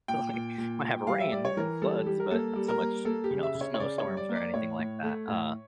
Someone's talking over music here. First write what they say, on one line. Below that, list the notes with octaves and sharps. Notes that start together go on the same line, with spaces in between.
like, might have rain and floods, but not so much, you know, snowstorms or anything like that. Uh,
A#2 G5
A#2
A#2
A#2
G3 F5
E5
G3 D5
C#5
E3 A#4
G3 A4
G3 G4
A#4
A#3 A4
G3
A#4
A#3
A#3 A4
G4
C#3
E5
C#3
C#5
C#5
C#3 D5
C#5
G3
D5
A#3
D5
A2 C#5
A2
A3
A2